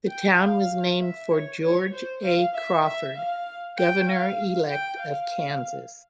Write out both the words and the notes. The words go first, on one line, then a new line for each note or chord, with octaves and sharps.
The town was named for George A. Crawford, governor-elect of Kansas.
G5
F5
E5
C#5
C#5
C5
F5
E5
E5
F5
G5
F5
G5
F5